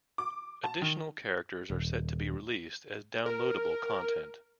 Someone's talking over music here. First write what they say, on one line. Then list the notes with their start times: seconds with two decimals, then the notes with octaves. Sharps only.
Additional characters are set to be released as downloadable content.
0.18 D6
0.64 A5
0.82 D#3
1.70 D#1
3.26 A#4